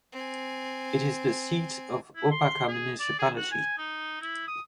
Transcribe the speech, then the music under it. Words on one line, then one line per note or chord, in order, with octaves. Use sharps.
It is the seat of Opaka Municipality.
C4 G#5
E4
C6
G#4
D5
G#4
F#4
G#5
D#4
E4
D#6